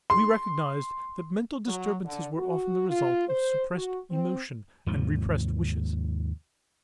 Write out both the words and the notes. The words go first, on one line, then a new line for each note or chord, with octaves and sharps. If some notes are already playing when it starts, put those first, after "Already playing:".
We recognized that mental disturbances were often the result of suppressed emotion and repressed wishes.
C6
F#3
D3
F#4
F4
C5
F#4
C4
D#2 G#2 C3 F3